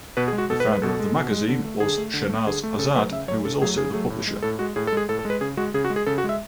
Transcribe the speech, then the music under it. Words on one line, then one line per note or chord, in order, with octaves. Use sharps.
The founder of the magazine was Shahnaz Azad who was also the publisher.
B2 B4
G#4
G#3
F#4
B2 A4
B4
G#3
B4
B2 A4
G#3
B2
G#3
D3
A3
D3 G#4
A3
D3
A3
D3 G#4
A3
C#3 A4
F#3 A3 B4
C#3 E5
F#3 A3 C#5
C#3 A4
F#3 A3 G#4
C#3 G#4
F#3 A3
A2
G#3
A2 A4
G#3 F#4
A2 G#4
A4
G#3 G#4
A2 A4
A4
G#3
B4
C#3 G#4
G#3 F#4
C#3 G#4
F#4
G#3
G#4
C#3 A4
F#4
G#3
E5